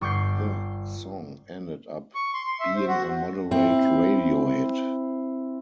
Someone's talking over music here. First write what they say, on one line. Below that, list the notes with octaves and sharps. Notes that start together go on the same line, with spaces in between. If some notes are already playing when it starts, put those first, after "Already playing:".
The song ended up being a moderate radio hit.
G1 C#6 D6 G6 C7
C#6
C6
C6
E5
C5
F#4
C4 E4